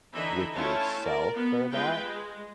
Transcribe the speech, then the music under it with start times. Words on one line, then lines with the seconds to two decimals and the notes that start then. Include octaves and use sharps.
with yourself for that
0.13 D3 E3 D#4 D#5 E5 B5
0.53 A3 C#4 E4 F4 C#5 A5
1.02 A#4 D5
1.34 B3
1.70 G#3 F4 B4 G5
2.02 G#3